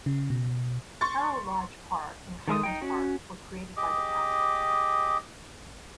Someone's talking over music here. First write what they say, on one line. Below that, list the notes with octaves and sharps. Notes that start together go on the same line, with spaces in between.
Harrow Lodge Park and Hylands Park were created by the council.
C#3
B2
C6 C#6 A6
D#3 G#3 E5 D#6
D#4 G5
C#4 F#4
G4 G#4 D#5 D6